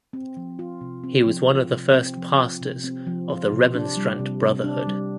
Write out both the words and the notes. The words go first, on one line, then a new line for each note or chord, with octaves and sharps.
He was one of the first pastors of the Remonstrant Brotherhood.
C4
F3
F4
C3
C4
F3
F4
C3
C4
F3
F4
C3
C4
F3
F4
C3
D4
G3
C3
C3
D4
G3